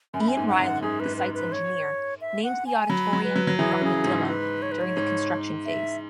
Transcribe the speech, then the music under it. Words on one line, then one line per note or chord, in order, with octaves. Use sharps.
Ian Reilly, the site's engineer, named the Auditorium the Armadillo during the construction phase.
F#2 G#5
B5
G#5
G#2
F#5
F#2
G#2 G#4
B4
G#2
B4
B4
C#5
E5
F#5
G#5
F#3 B5
F#3
B4
F#3
F#3
E3 G#4
B4
C#3 G#4
G#2
B4
C#5
B4
C#5
G#2
E5